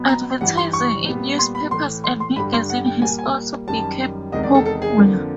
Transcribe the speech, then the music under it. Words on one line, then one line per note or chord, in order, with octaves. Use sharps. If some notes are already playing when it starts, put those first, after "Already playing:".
Advertising in newspapers and magazines has also become popular.
Already playing: B2 F#3 B3
A#5
G2 E3 G3 F#5
C6
C#6
A#2 G3 B3
C6
B5
A2 E3 A3 C6
C6
C6
G2 D3 G3 B5
C6
F#5
G5
A#2 G3 A#3 G#5
G#5
F#2 D#3 G3 A5
E2 C3 D#3 G#3 D#5
D5
A4
A4
G#4
F2 D3 F3 A#3